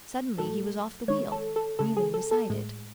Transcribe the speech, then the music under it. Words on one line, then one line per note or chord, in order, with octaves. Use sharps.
Suddenly he was off the wheel, kneeling beside it.
A2 F#3 A3 A4
D#3 G#3 C#5
A4
A4
C#3 G#3 A4
G#4
A4
A4
A2 G#3